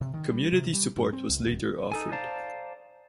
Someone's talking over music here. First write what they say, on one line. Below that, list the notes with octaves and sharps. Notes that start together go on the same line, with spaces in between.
Community support was later offered.
C3
D#3
G3
C3
G3
G2
C4
C#2
D#1
D#4 A4 G#5
C5 D5 F5 A5 A#5